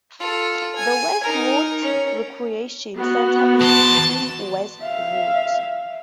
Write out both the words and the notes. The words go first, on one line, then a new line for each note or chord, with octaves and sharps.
The Westwood Recreation Center is in Westwood.
F4 A4
G#5
D#4 A#4
C#4
B3 F#4
E2 A5 C6
E5 F5